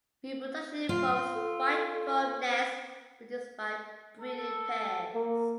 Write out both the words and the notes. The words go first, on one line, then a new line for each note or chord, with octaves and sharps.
Reproduction involves white foam nests produced by breeding pairs.
F4
A4
C5
A4
A#3